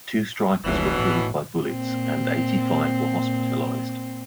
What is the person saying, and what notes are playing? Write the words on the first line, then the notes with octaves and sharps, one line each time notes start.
Two strikers were killed by bullets, and eighty-five were hospitalized.
F1 C#2 B2 E3
A2
A#2 C4